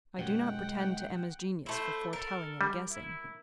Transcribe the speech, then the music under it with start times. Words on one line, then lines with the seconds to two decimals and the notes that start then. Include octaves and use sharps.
I do not pretend to Emma's genius for foretelling and guessing.
0.18 F#2 B2 G#3 F#5 G5
1.66 A3 E4 C5
2.13 A4 A#4
2.61 G3
2.90 E4